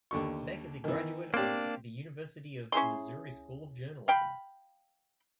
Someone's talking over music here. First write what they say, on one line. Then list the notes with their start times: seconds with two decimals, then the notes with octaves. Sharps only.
Beck is a graduate of the University of Missouri School of Journalism.
0.11 D#2 D3 C#6
0.84 D#3 E3
1.34 A#3 C4 D4 G4
2.72 C#4 E4 G#4 C6
4.08 F5 G5 B5